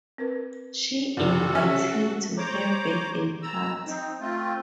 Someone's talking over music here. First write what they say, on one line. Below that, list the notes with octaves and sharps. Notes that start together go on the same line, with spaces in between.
She invites him to her birthday party.
C4 A#4 B4
F#1 C3 F#4 A4 D5
C#4 G4 E5
C5 C#5 A#5 D6
A#5 E6
C4 D#4
A3 C4 F4